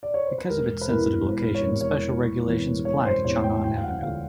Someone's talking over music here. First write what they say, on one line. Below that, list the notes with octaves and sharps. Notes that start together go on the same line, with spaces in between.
Because of its sensitive location, special regulations apply to Chang'an Avenue.
D5
C#5
C5
B4
E1 A#4
B4
E2 C3 E3 A#4
E1 B4
C#5
E2 C3 E3
C#5
E1
E2 C3 E3
E1 C#5
C5
E2 C3 E3 C#5
G5
D2 G5
F5
F#5
D3 F3 F5